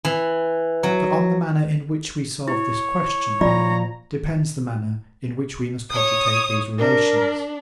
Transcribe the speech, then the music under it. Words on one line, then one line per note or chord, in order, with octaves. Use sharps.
For, on the manner in which we solve this question depends the manner in which we must cogitate these relations.
E3
F#3
E4 C#5
A#2 F3 F4 D5 A#5
C#5 D#6
D4 A#4